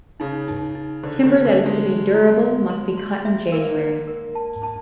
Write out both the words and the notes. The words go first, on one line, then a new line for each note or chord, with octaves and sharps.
Timber that is to be durable must be cut in January.
C#3 D#4
D#4
D#4
D3 C5
D3
G4
D3
G4
G#3
G4
E4
D5
C6
C6
E5
A#3 A#4
D5
A#4
A5
A5